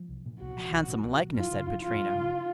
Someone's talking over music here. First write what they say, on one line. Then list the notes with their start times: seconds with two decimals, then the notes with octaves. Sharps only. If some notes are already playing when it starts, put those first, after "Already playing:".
"A handsome likeness!" said Pittrino.
Already playing: F3
0.09 C2
0.26 A#2
0.41 C2 F#4
0.57 F3
0.72 C2
0.88 A#2
1.04 C2
1.20 F3
1.36 F#2 F4
1.51 C#3
1.67 F#2
1.83 F3 F4
1.99 F#2
2.14 C#3